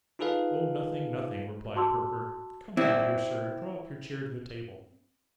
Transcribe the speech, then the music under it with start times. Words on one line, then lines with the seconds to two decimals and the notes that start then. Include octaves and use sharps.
'Oh, nothing, nothing,' replied Perker. 'Come, my dear Sir, draw up your chair to the table.
0.19 D#4 F4 G#4 A4 B4 F5
1.76 F#4 A5 C6 D6 E6
2.77 C4 E4